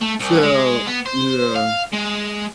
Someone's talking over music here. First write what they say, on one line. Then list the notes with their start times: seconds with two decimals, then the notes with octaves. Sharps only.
So, yeah.
0.02 A3
0.20 C2
0.43 G#3
0.87 B3
1.06 C5
1.56 F5
1.93 G#3